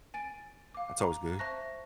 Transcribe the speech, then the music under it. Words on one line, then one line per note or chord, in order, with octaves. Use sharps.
That's always good.
G#5 A6 D7
F5 D6
A#5
C5 E5 A5 C#6 F#6 A#6